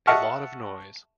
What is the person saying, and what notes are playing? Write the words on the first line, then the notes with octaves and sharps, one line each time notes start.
A lot of noise.
D#5 E5 F#5 A5 C#6 F6